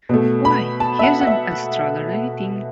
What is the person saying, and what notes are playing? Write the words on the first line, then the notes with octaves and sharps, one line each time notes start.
Why, here's an extraordinary thing!
B2 A3
B5
A5
E5
F#5
F#5
E5